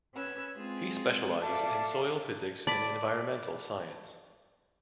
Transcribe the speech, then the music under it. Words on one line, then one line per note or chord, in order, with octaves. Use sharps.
He specialises in soil physics and environmental science.
C#4 B4 E6 G#6
G#3 C4 F4 G#4
A4 D5 E5 F5 A5
D5 A5 B5 B6